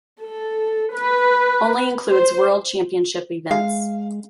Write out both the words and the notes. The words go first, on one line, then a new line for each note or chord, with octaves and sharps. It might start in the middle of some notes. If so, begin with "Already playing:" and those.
Only includes World Championship events.
A4
B4
C5
G#3 F5